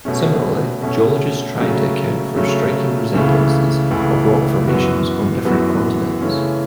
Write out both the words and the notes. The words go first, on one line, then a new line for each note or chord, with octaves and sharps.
Similarly, geologists tried to account for striking resemblances of rock formations on different continents.
B2 A3 C#4
B2 A3 C#4
C#3 F#3 A3
C#3 F#3 A3
C#2 C#3 E3 A3
C#2 C#3 E3 A3
F#2 E3 B3 F#4
F#2 E3 B3 F#4
C#3 E3 A3 C#4